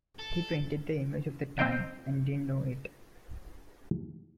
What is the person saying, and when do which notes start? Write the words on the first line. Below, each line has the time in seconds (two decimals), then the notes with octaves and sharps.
He painted the image of the time and didn't know it.
0.19 A4
1.59 C4 C5 D#5 F5 G5